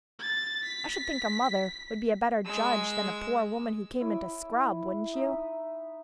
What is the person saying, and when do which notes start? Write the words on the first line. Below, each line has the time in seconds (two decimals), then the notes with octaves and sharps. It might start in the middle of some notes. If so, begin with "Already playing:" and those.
I should think a mother would be a better judge than a poor woman who came in to scrub, wouldn't you?
0.19 A6
0.66 B6
2.45 G#3 E6
4.01 E4 C#5 D6 D#6
5.13 D#4 E5 D#6